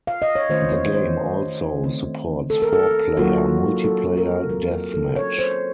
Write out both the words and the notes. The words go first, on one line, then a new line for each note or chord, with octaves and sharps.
The game also supports four-player multiplayer deathmatch.
F5
D#5
C#5
D#3 A3 C#4 F4 C5
C#5
C5
D#3 A3 C4 D#4
A4
A#4
A4
F#3 A#3 F4 F#4
A4
A#4
F#3 C4 D#4 A#4
A#4
A4
C#5
C5